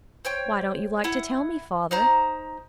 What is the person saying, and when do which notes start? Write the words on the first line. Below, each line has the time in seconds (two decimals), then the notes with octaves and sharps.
'Why don't you like to tell me, father?
0.25 C5 C#5 G5
1.04 E4 F#5
1.91 D#4 C5 A#5